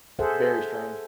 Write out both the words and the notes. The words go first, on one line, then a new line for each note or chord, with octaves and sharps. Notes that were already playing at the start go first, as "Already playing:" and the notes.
very strange.
G#4 A4 C5 E5 F#5